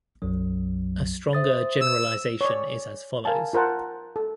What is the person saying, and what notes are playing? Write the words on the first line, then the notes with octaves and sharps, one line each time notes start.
A stronger generalization is as follows.
B1 F#2 F#3
C5 E5 D#6 A6
E6
C#5 D5
A#4 F5 G#5 A5
F4 A#4 C5 F#5 A5
A4